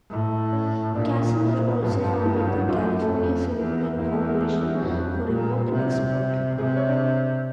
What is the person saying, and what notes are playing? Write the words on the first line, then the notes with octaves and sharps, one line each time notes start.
Casimir also founded the California Philippine Corporation for import and export.
A2
C#4 C#5
A#2 D4 D5
C4 C5
B3 B4
G2 F3 F4
F3 F4
E3 E4
F3 F4
F#3 F#4
F#3 F#4
F#2 F3 F4
A3 A4
A3 A4
F2
E2
E2 A#3 A#4
A3 A4
A#3 A#4
A3 A4
G#3 G#4
G3 G4
F#3 F#4
F2 F#3 F#4
F#3 F#4
G3 G4
A#2 G3 G4
G#3 G#4
G3 G4
C3 F3 F4
F#3 F#4
G3 G4
C3 G#3 G#4
C#5
D4 D5